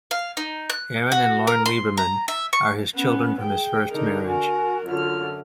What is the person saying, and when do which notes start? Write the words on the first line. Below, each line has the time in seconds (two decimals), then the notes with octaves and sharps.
Erin and Lorne Lieberman are his children from his first marriage.
0.11 F5
0.37 D#4
0.70 F#6
1.12 F#4
1.47 A#4
1.66 C6
1.97 A#5
2.28 E5
2.53 C#6
2.95 B3 C#4
3.41 G#4 G5
3.91 D3 D#4 A#4
4.27 F#4 A#4 G#5
4.86 F#2 D3 F4 F6